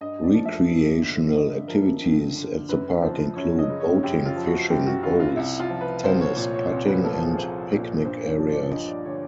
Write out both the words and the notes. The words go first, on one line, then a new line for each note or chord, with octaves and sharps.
Recreational activities at the park include boating, fishing, bowls, tennis, putting and picnic areas.
G2 D#5
D5
F3
E5
G2
D3
G2 D#5
F3 A#4
G2
D3
F#2 B4
F3 C5
F#2 C#5
D#5
C#3
C#5
F#2 G4
F4
F3
F#4
F#2 G4
F#4
C#3 F4
F4
C2 E4
F4
F3
B4
C2 C5
C#5
A#2 C#5
C#5
C2
B4
F3 A4
G#4
C2 C5
A#2
G2 C5
C#5
F3
D5
G2 D#5
D5
D3 C#5